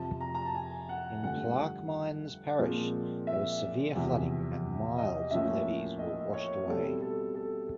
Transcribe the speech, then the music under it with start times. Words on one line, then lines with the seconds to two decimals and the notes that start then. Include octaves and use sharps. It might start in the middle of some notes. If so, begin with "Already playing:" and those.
In Plaquemines Parish, there was severe flooding and miles of levees were washed away.
Already playing: F2 C3 F3 A5
0.21 A#5
0.35 A#5
0.45 A5
0.55 G#5
0.89 F#5
1.23 G2 D3 F3 A3 F#5
2.59 A#2 F3 G#3 C4
3.27 E5
3.95 E2 C3 F3
4.98 D#5
5.30 A2 F3 A#3 C#4 E5
5.99 D#5
6.34 C#5
6.67 B2 G3 C4 A4
7.01 A4
7.35 A4